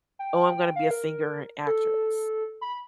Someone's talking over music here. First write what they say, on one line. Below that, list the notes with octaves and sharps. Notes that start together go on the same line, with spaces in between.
"Oh, I'm gonna be a singer and an actress,"
G5
F5
A#4
A4
B5